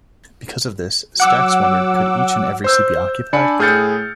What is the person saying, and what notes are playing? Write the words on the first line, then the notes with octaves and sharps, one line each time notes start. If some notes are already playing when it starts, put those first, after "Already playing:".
Because of this, Stax wondered: Could each and every seat be occupied?
F#3 F#5 D6 E6
C5 E6 G6
D4 D5 G#5 B5 C#7
A2 G#4 F6 G6 A6 C#7